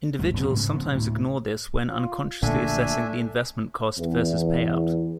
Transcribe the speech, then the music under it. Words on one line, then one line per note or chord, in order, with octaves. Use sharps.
Individuals sometimes ignore this when unconsciously assessing the investment cost versus payout.
G1 D2
F1 B2 F#3 B3
G#2 C#3
C#3 F3 B3
D2 A2
F4
A#1 A#2 D3 A3 D4 E5 G#5
E2